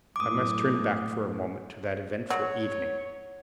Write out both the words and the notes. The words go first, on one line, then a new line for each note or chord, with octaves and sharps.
I must turn back for a moment to that eventful evening.
F#2 A2 D6 D#6
F#3 C#5